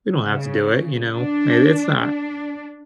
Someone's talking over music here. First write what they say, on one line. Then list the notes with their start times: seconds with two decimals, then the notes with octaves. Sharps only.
We don't have to do it." You know? It, it's not,
0.22 C#3
1.16 D4
1.99 D4